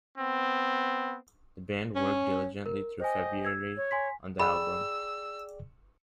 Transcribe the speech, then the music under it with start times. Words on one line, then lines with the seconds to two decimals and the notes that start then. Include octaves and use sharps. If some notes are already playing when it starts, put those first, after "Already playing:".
The band worked diligently through February on the album.
0.18 B3 C4
1.96 C#4
2.66 A#4
3.00 G4 C5 D#5 G#5
3.45 E6 G#6
3.77 C#5
3.91 G#5 C6 B6
4.40 G#4 D5 G5 B5 E6